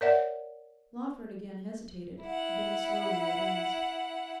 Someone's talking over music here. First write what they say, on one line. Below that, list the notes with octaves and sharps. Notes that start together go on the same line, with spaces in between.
Lawford again hesitated, then slowly advanced.
A#4 C#5 D5 E5 F#5
E4 F#5